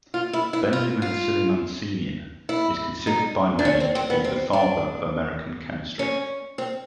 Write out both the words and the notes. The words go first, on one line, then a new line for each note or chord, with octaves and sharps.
Benjamin Silliman Senior is considered by many to be the father of American chemistry.
F4
E4
E4
F4
F4
E4
D#4
D4
C#4
C4
C4
B3
C4
D4
C#4
C4